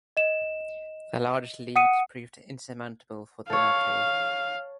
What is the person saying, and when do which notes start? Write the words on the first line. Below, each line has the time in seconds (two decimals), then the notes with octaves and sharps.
The large lead proved insurmountable for the Mercury.
0.17 D#5 E7
1.76 F#5 D#6 C#7 D#7
3.50 A4 C#5 F5